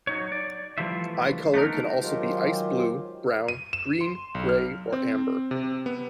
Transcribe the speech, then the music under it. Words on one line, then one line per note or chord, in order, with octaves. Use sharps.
Eye color can also be ice blue, brown, green, gray, or amber.
F#3 D#4 C#5
D5
E3 F3 G3 A3 F4 E5
A3 B3 D#4 A#4
D#3 F#3 G#3 F4 G4 C5
D#7
E7
C6
B1
F6
C4
C3
B3